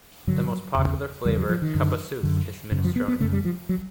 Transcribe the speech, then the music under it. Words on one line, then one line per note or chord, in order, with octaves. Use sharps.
The most popular flavour "Cup A Soup" is Minestrone.
G2 D3 F#3
E2 C#3
E2 C#3 G3
F#3
F3
D#3
F#2 D3
F#2 D3
F#2 C#3
F3
B3
B3
F#2 C#3 A3
G3
F3
F#3